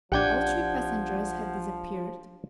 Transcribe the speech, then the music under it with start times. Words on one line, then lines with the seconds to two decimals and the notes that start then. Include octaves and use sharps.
All three passengers had disappeared.
0.12 A#1 F3 D4 G4 F#5 G6 G#6